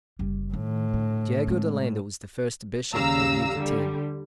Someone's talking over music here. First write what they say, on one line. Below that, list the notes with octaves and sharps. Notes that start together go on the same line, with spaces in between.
Diego de Landa was the first bishop of Yucatan.
F#1 G3
A2 D#3
D3
G#3 C4
D#2 C#3 G3 F5 A#5 E6
D3 G3